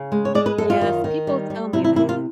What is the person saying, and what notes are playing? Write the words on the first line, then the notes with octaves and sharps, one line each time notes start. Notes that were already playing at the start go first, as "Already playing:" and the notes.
Yes, people tell me that.
Already playing: C#3
G#3
C#5
G#3 D5
B4
F#2 A4
F4
D#3
D#3
G3
G3
C3 E4
E4
A#3 E4
F4